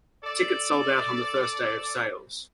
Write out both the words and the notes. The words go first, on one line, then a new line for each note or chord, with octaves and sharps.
Tickets sold out on the first day of sales.
A4 D5